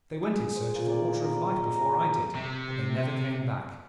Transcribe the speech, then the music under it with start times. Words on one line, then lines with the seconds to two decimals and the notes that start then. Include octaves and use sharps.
They went in search of the Water of Life before I did, but they never came back.'
0.23 G#4
0.55 C5
0.74 A#2
0.90 D5
1.14 A#4
1.46 D#5
1.76 A#5
2.35 C3